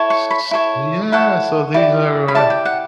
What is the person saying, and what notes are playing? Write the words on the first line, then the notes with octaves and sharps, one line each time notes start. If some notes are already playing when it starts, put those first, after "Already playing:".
s s Yeah, so these are my
Already playing: E4 A4 C#5
C#6
B5
E4 A4 C#5
E4 A4 C#5 F#5
E4 G4 D5
B5
E4 G4 D5 A5
G5
F#5